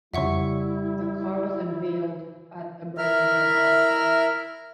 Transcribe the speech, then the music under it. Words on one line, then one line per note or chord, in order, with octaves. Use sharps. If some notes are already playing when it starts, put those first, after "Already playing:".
The car was unveiled at the Birmingham Auto Show.
F2 C#3 G3 E4 E5 F#5 C#6
E4 A#4 E5 F6